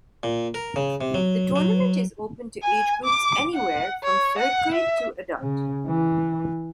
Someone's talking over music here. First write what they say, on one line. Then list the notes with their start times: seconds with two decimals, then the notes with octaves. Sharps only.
The tournament is open to age groups anywhere from third grade to adult.
0.23 A#2
0.54 A#4
0.76 C#3
1.01 C3
1.14 F#3
1.56 F#3
2.63 G#5
3.05 D6
3.54 F#5
4.03 C#5
4.39 F#5
4.74 E5
5.40 C#3
5.87 E3